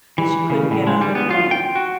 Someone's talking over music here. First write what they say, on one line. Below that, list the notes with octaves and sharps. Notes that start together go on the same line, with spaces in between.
that you couldn't get on your own.
E3
C#3
A2
G#3
G3
B3
F4
G5
F#4